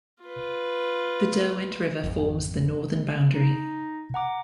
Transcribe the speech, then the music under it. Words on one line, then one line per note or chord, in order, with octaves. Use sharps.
The Derwent River forms the northern boundary.
F4 B4
G#1 F2
D#4
F#5 A#5 D6